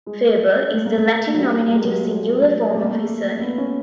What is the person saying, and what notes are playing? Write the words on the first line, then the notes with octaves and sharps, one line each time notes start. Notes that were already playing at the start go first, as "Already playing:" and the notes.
"Faber" is the Latin nominative singular form of his surname.
G#3
G#3
A3
A#3
A3
F#3
G3
G3
A3
G#3
F#3
G3
A3
A#3
A3
B3
C#4